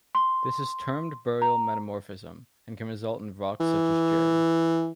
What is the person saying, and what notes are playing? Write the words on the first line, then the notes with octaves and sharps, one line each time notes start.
This is termed burial metamorphism, and it can result in rocks such as jade.
C6
A#5
E3